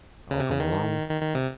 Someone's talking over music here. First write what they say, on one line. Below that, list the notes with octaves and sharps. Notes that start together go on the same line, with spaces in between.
"I'll come along."
C#3
C3
C#3
D#3
D#3
D#3
C3